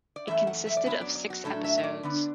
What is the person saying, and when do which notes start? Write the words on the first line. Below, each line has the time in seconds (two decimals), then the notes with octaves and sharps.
It consisted of six episodes.
0.16 D5
0.28 F#2 E3 A3 E5
0.47 F#5
0.67 E5
0.77 D5
0.86 F#2 F#3 B3 D4 E5
1.01 D5
1.15 D5
1.30 F#4
1.44 A2 F#3 A3 D4 A4
1.64 E5
1.78 E5
1.83 D5
2.03 D3 B3 D4